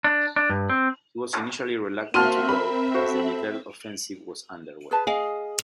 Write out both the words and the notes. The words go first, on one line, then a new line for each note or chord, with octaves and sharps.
He was initially reluctant to go as the Nivelle Offensive was underway.
D4
D4
G2
C4
A#3 C4 F#4 E5 A5 C6 F6 D#7
A#4 B5
F#4 A4 C5
G#4 B4 A5
G#4 D#5 F5